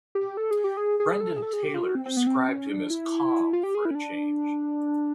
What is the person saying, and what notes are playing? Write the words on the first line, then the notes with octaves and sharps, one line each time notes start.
Brendan Taylor described him as calm, for a change.
G4
A4
G#4
G4
G#4
G#4
A4
G#4
A4
G#4
G4
F4
F#4
C4
C4
B3
C4
C#4
D4
E4
F4
G4
G#4
E4
C#4
D4